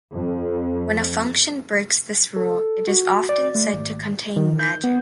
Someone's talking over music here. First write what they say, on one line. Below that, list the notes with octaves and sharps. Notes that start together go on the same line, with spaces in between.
When a function breaks this rule, it is often said to contain "magic".
F2
A4
F#4
D5
A3
G#1
D#3
G6
B3